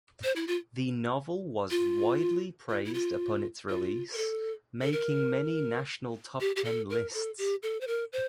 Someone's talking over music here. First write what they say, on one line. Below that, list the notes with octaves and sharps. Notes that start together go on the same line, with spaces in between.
The novel was widely praised upon its release, making many national top ten lists.
C5
E4
F4
F4
F4
E4
F4
F4
A#4
A4
A4
A#4
G4
G4
A4
A#4
A4
G4
A4
C5
A#4
C5